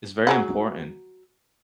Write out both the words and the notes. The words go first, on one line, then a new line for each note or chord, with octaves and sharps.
is very important,
F#3 G#4 F#5